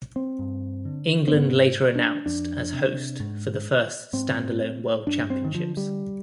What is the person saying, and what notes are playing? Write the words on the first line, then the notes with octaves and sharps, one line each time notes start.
England later announced as host for the first standalone world championships.
C4
G2
D3
C4
G#2 B3
D4
F2 D4
C3
G#2
G#2 C4
G2 D4
C4
D#3
D3 F3
G3